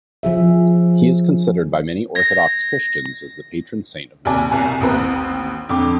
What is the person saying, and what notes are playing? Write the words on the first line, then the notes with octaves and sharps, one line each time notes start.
He is considered by many Orthodox Christians as the patron saint of North America.
F3 G#4 E5
G#6 A#6
D#2 C3 D5 G#5
C2 B2 G#5
A1 D#2 C4 B4
F2 D3 G5 D6